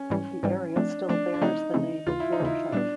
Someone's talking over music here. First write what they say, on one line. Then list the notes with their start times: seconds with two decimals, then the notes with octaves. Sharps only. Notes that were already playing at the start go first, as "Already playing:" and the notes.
The area still bears the name Yorkshire.
Already playing: C#4
0.10 G#2 E3 G3
0.43 G#2 E3 G3
0.76 F3 A3 C4 D4
1.09 F3 A3 C4 D4
1.34 D4
1.42 C#3 F3 A3 C4 D#4 E4
1.74 C#3 F3 A3 C4 E4
2.07 D#2 C#3 E3 F4
2.20 E4
2.33 D#4
2.40 D#2 C#3 E3 E4
2.72 A#2 G3 B3 D4